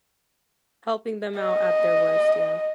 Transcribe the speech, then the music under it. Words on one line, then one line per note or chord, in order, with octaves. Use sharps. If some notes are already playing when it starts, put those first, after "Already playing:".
Helping them out at their worst, yeah.
D#5